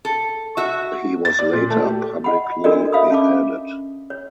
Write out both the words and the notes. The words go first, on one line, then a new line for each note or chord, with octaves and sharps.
He was later publicly beheaded.
A4
F#4 E5
A6
D5
A#2
A3
G4
D#5 F#5 B5
D4 F#4 A4 A#4 D5 D#5
E5 F5 B5 D#6
C#4 A5 D6
C#5